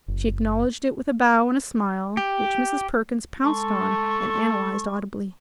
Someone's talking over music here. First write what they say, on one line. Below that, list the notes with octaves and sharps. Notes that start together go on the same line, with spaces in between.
She acknowledged it with a bow and a smile which Mrs. Perkins pounced on and analyzed audibly.
F#1
G4
G#3 A4 A5 C6 C#6